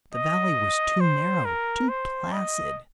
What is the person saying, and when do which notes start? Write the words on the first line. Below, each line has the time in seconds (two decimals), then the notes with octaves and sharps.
The valley was too narrow, too placid.
0.14 D#5
1.01 C5
1.45 A#4
1.89 C5
2.32 D#5